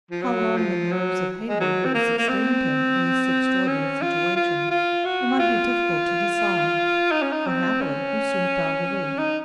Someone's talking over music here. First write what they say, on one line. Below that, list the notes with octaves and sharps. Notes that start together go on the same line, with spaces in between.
How long the nerves of Heyward would have sustained him in this extraordinary situation, it might be difficult to decide, for, happily, he soon found relief.
F3
F#3
F3
F#3
G#3
F#3
C4
A#3
A#3
C4
C#4
F4
F4
F4
F#4
F4
D#4
C#4
D#4
C4
C#4
D#4